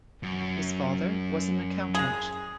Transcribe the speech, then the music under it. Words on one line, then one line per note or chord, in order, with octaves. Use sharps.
His father was an accountant.
F#2
G#3 G#4